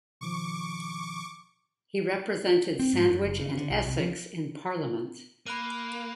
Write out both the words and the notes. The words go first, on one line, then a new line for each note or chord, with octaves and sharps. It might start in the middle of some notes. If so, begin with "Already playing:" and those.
He represented Sandwich and Essex in Parliament.
B2 D#3 F3 C#6 D6
C4
G#2
F#2
F#1
C#3
D3
B1
C2
F3
A#3 B5 F#6 D#7